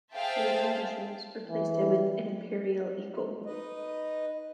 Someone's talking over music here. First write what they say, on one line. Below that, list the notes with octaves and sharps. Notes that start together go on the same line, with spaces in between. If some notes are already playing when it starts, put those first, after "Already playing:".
Later editions replaced it with an Imperial eagle.
G#4 C5 E5 F5 G5 A5
E3
G3
D#4 B4 D#5